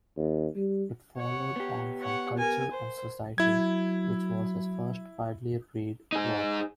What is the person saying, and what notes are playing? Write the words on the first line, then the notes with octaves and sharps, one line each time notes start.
It followed on from "Culture and Society", which was his first widely read work.
D#2
G3
C#5 F#5
B3 G4
C#5 F#5
A#4 G#5
C5
F#3 E4 G#6
D#4 G#4